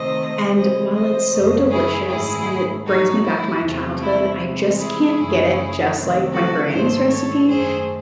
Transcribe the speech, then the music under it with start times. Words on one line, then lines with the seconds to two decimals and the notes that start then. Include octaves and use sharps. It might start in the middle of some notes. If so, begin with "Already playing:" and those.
and, while it's so delicious and it brings me back to my childhood, I just can't get it just like my granny's recipe.
Already playing: C3 D#3 A3 C5 D#5
0.55 C3 E3 G#3 C5 D#5
0.94 C5 D#5
1.32 F#2 C#3 F#3 A3
1.71 E4 G#4
2.09 G#2 D#3 A3 E4 G#4
2.86 A2 F#3 A3 D#4 F#4
3.25 E4
3.63 E2 C3 F#3 A3
4.02 E4
4.41 C3 E3 G#3
4.79 E4 G#4
5.17 F#2 C#3 E3 A3
5.94 C3 D#3 F#3 A3
6.33 F#4 A4
6.71 G#2 D#3 A3 G#4 C5
7.09 A4 C#5
7.47 F#2 D#3 A3 G#4 C5